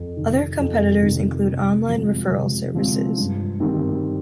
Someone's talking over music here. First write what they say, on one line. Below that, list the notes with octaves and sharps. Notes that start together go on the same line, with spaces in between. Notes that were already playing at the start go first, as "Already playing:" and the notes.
Other competitors include online referral services.
Already playing: F2
C3 D#3
F2
C3 D#3
C3
F3 G#3 C4
C3
F3 G#3 C4
G2
D#3 G3 C4